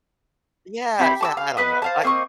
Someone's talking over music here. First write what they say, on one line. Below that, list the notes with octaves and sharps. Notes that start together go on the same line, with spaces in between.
Yeah. Yeah. I don't know. I
C4 E4 G4 B5
A5 D6 E6
F5
B3 B4 D#5
C5 F5 A5
A#3 C4 D#5 C#6